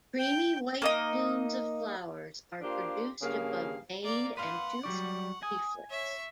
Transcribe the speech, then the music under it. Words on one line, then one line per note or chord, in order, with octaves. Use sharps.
Creamy white plumes of flowers are produced above veined and toothed leaflets.
G5
A#3 D#4 D#5
A#3 D4 F4 G4 C5
G2 C#3 A#3 G#4 F5
A#3 D5
B4 F5 F#5 C6
F#3 G3 D5 C#6
G#5 D#6
C#5 E5 C#6